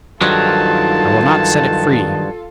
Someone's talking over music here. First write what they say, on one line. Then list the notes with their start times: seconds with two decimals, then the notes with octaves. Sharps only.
'I will not set it free.'
0.21 G2 D#3 F3 F#3 D#4 F4 A4 A5